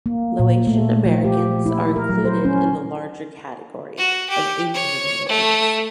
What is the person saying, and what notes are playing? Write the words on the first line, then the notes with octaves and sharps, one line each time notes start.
Laotian Americans are included in the larger category of Asian Americans.
A#3
A#2
A3
F3
G4
E4
A#4
F#3
C5
C#4
F#4
G4
C#5
A3